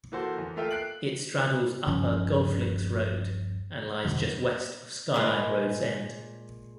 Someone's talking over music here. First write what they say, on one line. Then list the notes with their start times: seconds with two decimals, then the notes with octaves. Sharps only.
It straddles upper Golf Links Road and lies just west of Skyline Road's end.
0.12 E3 A#3 F#4 A4 C5
0.38 E2
0.56 A3 A#3 F4 A4 E5 G5
0.71 F#6 C7 D7 F#7
1.87 D#1 G2 F3 C#4
4.05 E2 B2 D3 F#3
5.14 A#2 G#3 B5